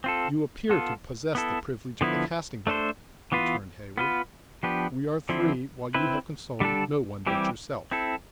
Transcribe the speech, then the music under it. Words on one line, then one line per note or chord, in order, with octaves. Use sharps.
"You appear to possess the privilege of a casting vote," returned Heyward; "we are three, while you have consulted no one but yourself."
C4 F4 A4
B3 F4 A4
B3 E4 A4
D3 F3 B3 E4
A3 D4 A4 C5
E3 B3 F4 B4
B3 F4 B4
F3 B3 D4 G4 B4
D3 F3 C4 E4
C4 E4 B4
D3 G3 D4 A4
E3 G3 C4 E4 G4
C4 E4 A4